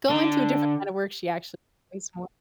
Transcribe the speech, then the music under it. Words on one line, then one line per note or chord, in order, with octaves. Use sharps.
go into a different kind of work she actually likes more.
D3